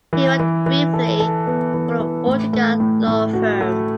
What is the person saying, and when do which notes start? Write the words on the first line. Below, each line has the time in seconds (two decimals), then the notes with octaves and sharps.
He worked briefly for a Utica law firm.
0.13 E3
0.39 E3
0.66 E3
0.94 A4
1.20 A4
1.47 B3
1.74 E3
2.00 E3
2.27 A2
2.53 A3
2.80 A2
3.07 A2
3.33 F#4
3.61 A3